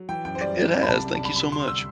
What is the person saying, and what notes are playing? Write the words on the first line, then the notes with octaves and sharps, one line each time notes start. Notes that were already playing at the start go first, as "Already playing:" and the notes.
It has, thank you so much.
Already playing: F#3
E3 G5
F#2 G5
C5
G3 D5
F#2
C3 D5
B5
C2 A5
G3
A5
C2 B5
C3 B5
D2 C6
G3 E6